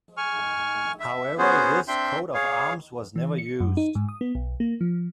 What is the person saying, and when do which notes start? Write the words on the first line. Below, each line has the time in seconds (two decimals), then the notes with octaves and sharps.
However, this coat of arms was never used.
0.17 G#5 C#6 F6
1.00 E5
1.38 B3 C#4 F#4 G#4 C5
1.88 C4 D4 E5 G5 C6 G6
2.34 G#4 C#5 F5
3.16 E3
3.38 C#7
3.60 F#2
3.77 D#4
3.95 G#2
4.09 D#6
4.21 B3
4.35 B1
4.60 A#3
4.81 F3